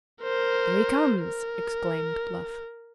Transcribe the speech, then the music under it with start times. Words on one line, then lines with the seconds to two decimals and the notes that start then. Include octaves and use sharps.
"There he comes!" exclaimed Bluff.
0.24 A#4 C5
1.20 A#4